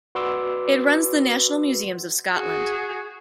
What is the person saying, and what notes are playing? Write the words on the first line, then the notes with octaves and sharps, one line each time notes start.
It runs the national museums of Scotland.
F#4 B4 D5 C6 D6 E6
F#4 G#4